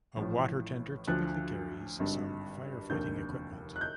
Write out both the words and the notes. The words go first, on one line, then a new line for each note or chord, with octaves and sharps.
A water tender typically carries some fire fighting equipment.
A1 A2 F3
D2 D3 F3 F#6
G#1 G2 D3
F1 D#2 D3 G6
F#6
G6